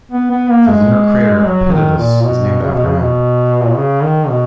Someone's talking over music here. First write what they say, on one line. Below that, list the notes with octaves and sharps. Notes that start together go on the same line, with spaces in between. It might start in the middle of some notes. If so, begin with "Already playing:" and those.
The lunar crater Pitatus is named after him.
B3
B3
A#3
G#3
F#3
D#3
A#2
B2
C#3
B2
C#3
B2
A#2
B2
C#3
D#3
B2